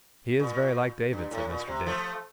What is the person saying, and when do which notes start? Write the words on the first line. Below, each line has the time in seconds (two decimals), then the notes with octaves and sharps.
'He is very like David!' said Mr. Dick.
0.39 A#2
1.13 G2
1.31 A2
1.50 A#2
1.68 C3
1.86 F3 A3